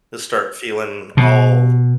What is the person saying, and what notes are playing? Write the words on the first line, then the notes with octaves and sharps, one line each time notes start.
You'll start feeling all
B2